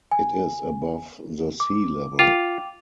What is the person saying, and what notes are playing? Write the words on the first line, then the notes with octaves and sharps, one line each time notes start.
It is above the sea level.
G#5
D6
F4 G5 D6 F7